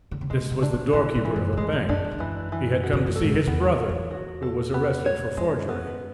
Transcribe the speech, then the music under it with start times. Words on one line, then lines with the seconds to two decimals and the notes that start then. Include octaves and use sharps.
This was the doorkeeper of a bank; he had come to see his brother, who was arrested for forgery.
0.11 D3
0.21 C#3
0.30 B2 G#3
0.52 C#3
0.62 D4
0.73 B2
0.93 A2 E3
1.15 G#2
1.25 E3
1.36 F#2
1.53 B2
1.57 A2 G#3
1.72 G#2
1.89 F#2 D4
2.05 F#2
2.11 E2
2.19 F#2 E3
2.52 E3
2.84 F#4
2.93 B2
3.06 A2
3.16 G#2 A4
3.34 F#2
3.47 E2 B3
3.79 C#5
3.89 E2
4.11 F#4
4.42 A4
4.74 B3
5.06 C#5
5.37 F#2 G#3
5.69 B3